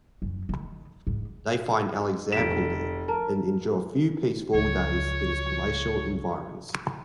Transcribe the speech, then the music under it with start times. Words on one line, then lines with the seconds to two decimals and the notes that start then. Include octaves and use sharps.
They find Alexample there, and endure a few peaceful days in its palatial environs.
0.22 F#2
0.49 D#3
1.07 G#2
2.32 F1 B6 D7 E7
3.08 A#4 A5 A#5
4.54 C#2 C#5